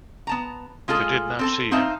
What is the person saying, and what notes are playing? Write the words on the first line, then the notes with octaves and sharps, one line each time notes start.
They did not see him.
B3 A5 A#5
G#3 F4 G#4 A4
C4 A4 A5
C4 D#4 E5 F5 A5